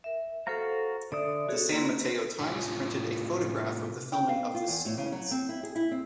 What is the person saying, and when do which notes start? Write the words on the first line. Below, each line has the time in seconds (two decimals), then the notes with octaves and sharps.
The "San Mateo Times" printed a photograph of the filming of this sequence.
0.04 A#4 E5
0.47 F#4 A4 C5 F5 A#5
1.12 D3 A4 D5 E5 D#6
1.49 F#4 G#4 A4 C#5
1.72 A#3 E4 A4 D5 C6
2.41 A2 C3 D4 F4 C#5 G#5
4.12 G5
4.29 F5
4.55 F4
4.68 E2
4.85 A2
4.98 C#3
5.12 F#3
5.31 C4
5.49 E4
5.63 G#4
5.75 E4
5.91 C4